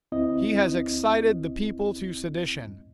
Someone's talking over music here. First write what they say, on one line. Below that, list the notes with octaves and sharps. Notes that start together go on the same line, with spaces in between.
He has excited the people to sedition.
D2 C4 E4 D#5